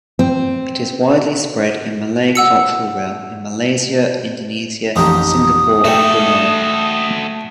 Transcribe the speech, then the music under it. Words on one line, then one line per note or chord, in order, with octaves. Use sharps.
It is widely spread in Malay cultural realm in Malaysia, Indonesia, Singapore and Brunei.
C4
F#5 E6 C#7
A1 F2 D#4 G4 D#6
A3 F#4 A4 E5 G5